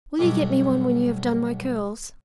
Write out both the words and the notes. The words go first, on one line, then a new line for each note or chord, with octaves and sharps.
"Will you get me one when you have done my curls?"
B1 G2 B2 F#3 D6